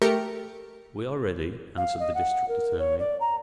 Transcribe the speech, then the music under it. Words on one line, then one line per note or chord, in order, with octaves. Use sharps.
"We are ready," answered the District Attorney.
A3 G4 A#4 C#7
F5
D#5
F#5
A#4
C#5
D5
A#5